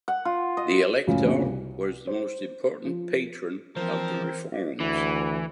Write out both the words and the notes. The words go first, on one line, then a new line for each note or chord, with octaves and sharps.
The Elector was the most important patron of the reforms.
F#5
F4
D#5
C#2 F#2 A2 C#3 C#4
A#2 C#3 A3 C4 D4 F#4
C2
C5
F3
E3 F3 C4 A#4 C5 A5
D2 E3